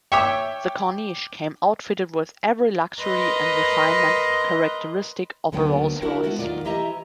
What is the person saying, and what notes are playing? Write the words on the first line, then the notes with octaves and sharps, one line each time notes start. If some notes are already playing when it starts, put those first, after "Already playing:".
The Corniche came outfitted with every luxury and refinement characteristic of a Rolls-Royce.
C#5 E5 G5 D6
A#4 B4 D#5 A#5 C6
D2 D3 F#3 A#3 B3 G5
D4 E4 F#4 A#4 E5
G#3 B3 E4 F#4 A4
D#2 D#3 F#3 D4 F4 D5
E3 E4 G4 D#5 E5 A#5